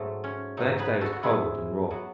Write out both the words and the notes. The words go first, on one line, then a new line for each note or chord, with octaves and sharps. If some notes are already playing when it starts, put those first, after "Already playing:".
The next day was cold and raw.
Already playing: G#2 F#3 A3
C#4
G#2 F#3 A3 D#4
G#4 B4
F#4 A4
F#4
G#2 F#3 B3 E4 G#4
F#3 B3